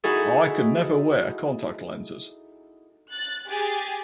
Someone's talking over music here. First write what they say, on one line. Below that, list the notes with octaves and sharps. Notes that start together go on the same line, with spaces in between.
I could never wear contact lenses.
D#4 E4 F#4 G#4 A4
F#6 A6
G4 G#4 G#5 A6